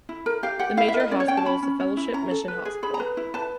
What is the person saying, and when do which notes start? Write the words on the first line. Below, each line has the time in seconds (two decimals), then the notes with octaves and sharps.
The major hospital is the Fellowship Mission Hospital.
0.09 E4
0.26 A#4
0.43 G4 F5
0.59 G4 F#5
0.77 E4 F5
0.88 E5
0.94 A#4
1.00 D#5
1.11 C#4 D5
1.20 C#5
1.28 C#4 G5
1.37 A5
1.46 C#4 B5
1.62 C#4
1.80 C#4
1.97 E4
2.13 C#4 A#5
2.31 A4
2.48 B4
2.65 G#4
2.83 G#4 B5
2.94 A#5
3.00 B4
3.17 E4
3.34 B4 A5